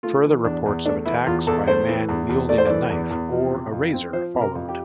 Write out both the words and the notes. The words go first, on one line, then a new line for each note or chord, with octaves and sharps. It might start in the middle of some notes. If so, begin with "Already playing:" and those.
Further reports of attacks by a man wielding a knife or a razor followed.
A3 F4
E3
E2 D4
E2
A3 D4
E3 E4
E2 F4
E2 A4
A3 C5
E3
E2
E2
A3 D5
C5
E3 D5
E2
E2
F3
C3
F2
C4
F3 C5
C3
A#4
F2
G4